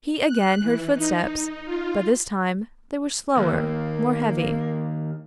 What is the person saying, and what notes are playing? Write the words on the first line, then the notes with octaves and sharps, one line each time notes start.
He again heard footsteps, but this time they were slower, more heavy.
F#6
E3
D#4
D#4
F4
D#2 A#3